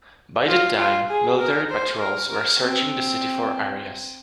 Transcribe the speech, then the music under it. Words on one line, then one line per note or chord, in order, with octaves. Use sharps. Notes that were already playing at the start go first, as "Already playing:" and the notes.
By that time, military patrols were searching the city for Arias.
F4
F4
G#4
A#4
C5
A#4
A#4
C4